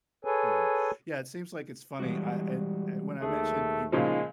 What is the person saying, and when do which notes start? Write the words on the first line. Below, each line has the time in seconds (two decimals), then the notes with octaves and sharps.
Yeah. Yeah, it seems like it's funny. I I when I mentioned you
0.25 G#4 A4 B4 C#5 G#5
2.00 E3 G3 G#3 F#4
3.22 D#2 A3 G#4
3.92 A#2 C#3 F3 G#3 D#4